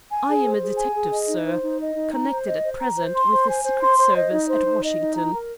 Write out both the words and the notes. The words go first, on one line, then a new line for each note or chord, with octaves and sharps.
I am a detective, sir, connected at present with the Secret Service at Washington.
G#5
G#4
C5
G#4
G#5
G#4
D#5
D#4
C5
D#4
D#5
D#4
A#5
C5
D#5
C5
A#5
C5
C6
C5
G#5
C5
C6
C5
D#5
D#4
C5
D#4
D#5
D#4
A#5
A#4